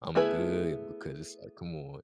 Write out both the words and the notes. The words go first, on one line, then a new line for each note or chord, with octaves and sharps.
"I'm good," because it's, like, "Come on."
A3 B3 E4 G#4 B4